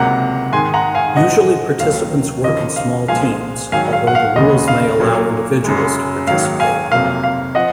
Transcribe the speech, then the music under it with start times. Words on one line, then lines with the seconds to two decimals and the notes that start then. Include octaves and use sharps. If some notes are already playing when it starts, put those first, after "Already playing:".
Usually participants work in small teams, although the rules may allow individuals to participate.
Already playing: C#2 C3 F#3 A#3 F#5 A#5
0.52 G#2 D#3 G#3 G#5 C6
0.74 F#5 A#5
0.95 F5 G#5
1.16 G#2 F3 G#3 D#5 F#5
1.80 D#2 D#3 F#3 F5
2.44 D#2 C#3 F3 A#3 D#5
2.76 F5
3.08 C2 A#2 F3 G#3 F5 G#5
3.72 G#2 D#3 F#3 F5 G#5
3.93 F5
4.07 F#5
4.15 F5
4.36 D#2 C#3 G#3 D#5
4.68 F5
4.99 A#2 F#3 A#3
5.64 F#2 C#3 G#3
6.27 G#2 D#3 F#3 A#3 F5
6.60 F5 G#5
6.92 F2 C3 F#3 A#3 F5
7.24 F5
7.55 F3 D#5 F#5